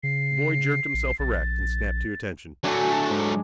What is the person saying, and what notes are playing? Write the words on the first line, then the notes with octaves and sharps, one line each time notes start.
The boy jerked himself erect and snapped to attention.
C#3 C7
A#1
A#1 A6
F#3 A3 D4 F#4 G#5
A5
G#2